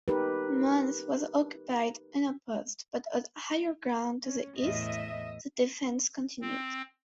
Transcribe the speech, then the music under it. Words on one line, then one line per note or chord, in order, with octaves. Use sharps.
Mons was occupied unopposed but on higher ground to the east, the defence continued.
D#4 G4 A#4 B4
C#4
E2 A2 D#5 E5
C4